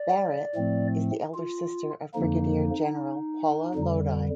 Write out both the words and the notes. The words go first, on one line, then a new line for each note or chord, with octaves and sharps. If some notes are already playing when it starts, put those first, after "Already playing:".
Barrett is the elder sister of Brigadier General Paula Lodi.
Already playing: D5
A2 F3 A3 C4
F4
F2 D3 F3 A#3 D#4
F2 D3 G3